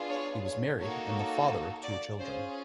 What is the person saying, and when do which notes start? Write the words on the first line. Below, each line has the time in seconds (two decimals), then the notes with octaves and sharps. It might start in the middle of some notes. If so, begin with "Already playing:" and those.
He was married and the father of two children.
Already playing: B3 D4 F4 G#4
0.10 C#5
0.44 C#5
0.79 A#3 D#4 F#4 A4 C#5
1.83 D5
2.18 C#4 F4 G#4 C5